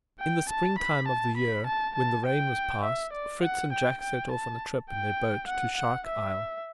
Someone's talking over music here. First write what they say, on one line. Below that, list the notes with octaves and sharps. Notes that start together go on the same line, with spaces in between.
IN the spring time of the year, when the rain was past, Fritz and Jack set off on a trip in their boat to Shark Isle.
G5
A5
B5
A5
B5
A5
A5
G5
E5
D5
F#5
G5
G5
A5
G5
F#5
F#5
E5